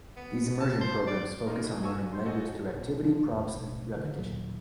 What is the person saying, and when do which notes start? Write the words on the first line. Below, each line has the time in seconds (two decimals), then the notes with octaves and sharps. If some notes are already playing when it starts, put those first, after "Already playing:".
These immersion programs focus on learning language through activity, props and repetition.
0.16 B3
0.60 A5
0.81 C5
1.07 D5
1.47 A3 A#3 D#4 F4 A#4
1.64 A2
1.83 F#4 A4 G#5 C#6 E6
2.13 C6 G6
2.26 F#4 A4 D#5 G#5
2.74 B1
3.03 F3 G3
3.32 F2 G#3
3.46 A1 B2
3.97 D3 D#3
4.19 D#2 A#2 F#3